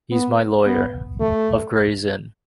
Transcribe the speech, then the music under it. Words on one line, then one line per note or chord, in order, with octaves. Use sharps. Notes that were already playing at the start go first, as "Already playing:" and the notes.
He’s my lawyer, of Gray’s Inn.
B3
B3
A3